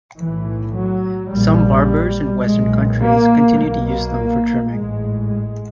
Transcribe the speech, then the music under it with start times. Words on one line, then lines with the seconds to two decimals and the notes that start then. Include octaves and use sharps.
Some barbers in Western countries continue to use them for trimming.
0.18 B1 A2 E3
0.76 F#3
1.32 A#1 G#2 G3
2.45 B1 A#2 G#3
3.01 A#3
3.58 B1 B2 A#3
4.71 A1 G#2 G#3
5.28 G#3